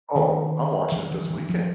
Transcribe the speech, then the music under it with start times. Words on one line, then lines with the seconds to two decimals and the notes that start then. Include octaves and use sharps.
Oh, I'm watching it this weekend.
0.16 D#3
0.92 E3
1.11 E3
1.30 E3
1.49 F3